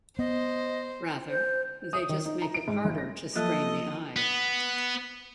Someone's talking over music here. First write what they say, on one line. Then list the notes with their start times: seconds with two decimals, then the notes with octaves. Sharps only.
Rather, they just make it harder to strain the eye.
0.19 B3 C5 D#5
1.29 C5
1.93 D#6
2.09 D#3
2.26 D#4
2.42 A#5
2.54 D7
2.68 G#2
2.85 F#1
2.98 A#6
3.36 F3 F#3 A#3 F4 A4 D#5 F#6 A6
4.16 B3